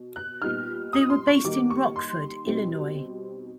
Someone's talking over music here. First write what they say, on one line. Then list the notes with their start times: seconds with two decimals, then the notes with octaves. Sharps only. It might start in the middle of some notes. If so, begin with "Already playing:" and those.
They were based in Rockford, Illinois.
Already playing: B2
0.16 F#6
0.41 A#2 G3 B3 D#4 F6
0.93 D#6
1.10 C6
1.27 C#6
1.44 D#3 G3 A#3 D#4 D6
1.70 C#6
1.96 C6
2.47 B2 G3 C4 D#4